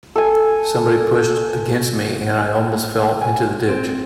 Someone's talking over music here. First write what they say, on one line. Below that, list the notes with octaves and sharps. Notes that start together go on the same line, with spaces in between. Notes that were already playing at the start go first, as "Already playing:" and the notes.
Somebody pushed against me, and I almost fell into the ditch.
A4 G#5
G#5
C4